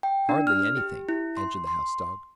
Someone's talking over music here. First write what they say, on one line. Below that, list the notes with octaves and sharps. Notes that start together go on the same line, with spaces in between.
"Hardly anything," answered the House Dog.
G5
D4
F6
G4
E4
C6
C6